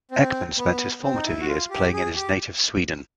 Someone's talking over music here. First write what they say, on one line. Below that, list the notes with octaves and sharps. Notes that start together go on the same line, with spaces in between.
Ekman spent his formative years playing in his native Sweden.
C4
B3
C4
D#4
E4
F#4
F4
G4
G#4
G4